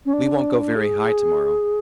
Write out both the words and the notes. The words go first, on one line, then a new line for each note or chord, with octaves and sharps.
We won't go very high to-morrow.
C#4
D4
G#4